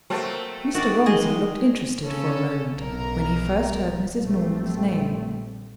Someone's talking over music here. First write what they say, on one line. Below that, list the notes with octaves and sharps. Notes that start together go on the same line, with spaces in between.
Mr. Romsey looked interested for a moment, when he first heard Mrs. Norman's name.
F#3 A3 A#3 C4 A5
D#3 F#4 D5
G#3 G#4 D#5
C#3 C#4 A4
B1 B2 A#4 A#5
A#1 G3 A3 C4